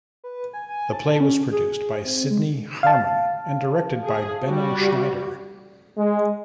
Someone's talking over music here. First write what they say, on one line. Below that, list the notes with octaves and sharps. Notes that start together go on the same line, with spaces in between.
The play was produced by Sidney Harmon and directed by Benno Schneider.
B4
G#5
G#5
A5
C#4
G#4
C4
G#3
F5 A5
G#4
G3 F#4
G#3